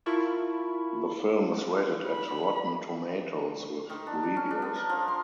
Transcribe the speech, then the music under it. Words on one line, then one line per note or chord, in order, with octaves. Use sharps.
The film is rated at Rotten Tomatoes with reviews.
E4 F4 A#4 A5 B5 C#6
B5
D#3
D4
D4
C#4
D4
B3
A#4
F3
C6